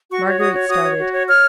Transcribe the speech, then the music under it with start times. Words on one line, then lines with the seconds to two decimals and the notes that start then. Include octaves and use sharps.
Marguerite started.
0.11 F#4 C#6
0.26 C#5
0.40 F#4 D#6
0.54 C#5
0.69 F#4 D#6
0.83 C#5
0.98 F#4
1.13 C#5
1.27 C#5 F6